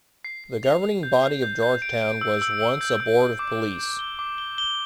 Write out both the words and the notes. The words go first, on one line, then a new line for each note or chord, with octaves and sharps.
The governing body of Georgetown was once a Board of Police.
C7
C7
F7
F7
G6
C7
G6
G6
D7
D7
E6
E6
E6
G6
E6
G6
D6
G6
G6
G7
D6
G7
G7